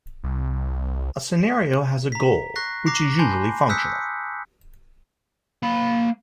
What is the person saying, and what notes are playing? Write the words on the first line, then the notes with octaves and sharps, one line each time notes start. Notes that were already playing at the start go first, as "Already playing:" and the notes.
A scenario has a goal, which is usually functional.
C2
A#5 B6
C#6 F#6 A#6 C7
A#5 D6 F#6 A#6 C7
G#5 A5 B5 C6 G6
D#6 E6 F#6 G6 B6 C#7
A#3 B5